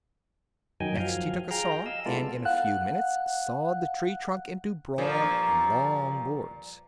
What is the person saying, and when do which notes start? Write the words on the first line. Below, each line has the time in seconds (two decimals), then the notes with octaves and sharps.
Next he took a saw and in a few minutes sawed the tree-trunk into broad, long boards.
0.80 F#2 D#3 F#3 D#5 G5 G#5
1.00 F3 F#3 F5
1.51 G#4 F5 G5 A#5
1.86 D#5 F5 E6
2.06 G#3 B3 E4 F4 A4 D5
2.45 F5 F#5 F#6
4.98 G2 A#2 F3